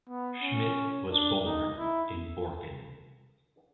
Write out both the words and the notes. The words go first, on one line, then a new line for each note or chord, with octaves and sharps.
Schmidt was born in Borken.
B3
C#4
D4
D#4
E4